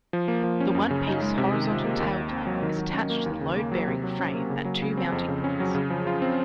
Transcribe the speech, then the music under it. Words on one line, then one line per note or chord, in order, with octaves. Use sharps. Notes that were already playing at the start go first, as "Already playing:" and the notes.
The one-piece horizontal tailplane is attached to the load-bearing frame at two mounting points.
F3
A#3
F3
C#4
F#2
C#3
D#4
G#3
C3
D#3
F4
A#3
D#2
D#3
C4
F#3
D#3
F#3
C#4
A#3
D#2
C#3
A#3
F#3
C3
F#3
C#4
A#3
C#3
F#3
C#3
C4
F2
C#3
C#4
F#3
C#3
F3
F4
C4